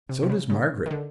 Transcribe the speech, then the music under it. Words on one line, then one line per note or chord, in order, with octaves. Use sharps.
So does Margaret.
C3
C3
C#3
C#3
D#3
D3